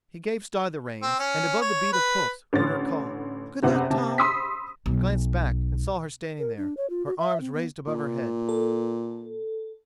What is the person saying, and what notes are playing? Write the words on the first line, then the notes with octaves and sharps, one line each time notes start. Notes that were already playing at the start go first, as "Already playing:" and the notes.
He gave Star the reins, and above the beat of hoofs heard her call: "Good luck, Tom!" He glanced back and saw her standing there, her arms raised above her head.
C4
C#4
C#5
B4
A1 D3 C#5 A6
F#1 C3 B3 F#5
C3 A5
B5 C6 D#6 E6 B6
B1
A#4
D4
C#5
F4
F#4
E5
C4
B3
A#2
A4